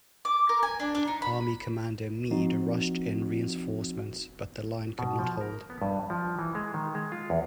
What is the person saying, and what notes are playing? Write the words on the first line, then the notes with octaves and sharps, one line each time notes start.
Army commander Meade rushed in reinforcements, but the line could not hold.
D6
A#4
G#5
D4
D4
D#4
B5
F3 C4 D#4 F#4
B2
F3
A#4
B3
G2
F3
E3
G#3
D#3
G#3
F4
E2